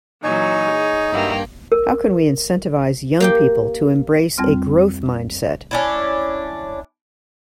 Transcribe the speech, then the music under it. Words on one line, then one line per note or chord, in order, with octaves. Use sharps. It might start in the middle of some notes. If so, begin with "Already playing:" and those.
How can we incentivise young people to embrace a growth mindset?
A#2 E3 F#3 D#4 C#5 G#5
G#4
G2 F#3 G3 A#3 E5 G5
A#4
A#3 G4 G5
F2 G3 C4 F6
C#4 D4 E4